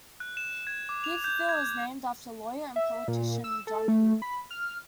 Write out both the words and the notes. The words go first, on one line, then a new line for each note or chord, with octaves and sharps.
"Heathsville" is named after lawyer and politician John Heath.
F#6
E7
G#6
D6
F7
G6
G#6
E5
A#2
E6
A4
A3
B5
F6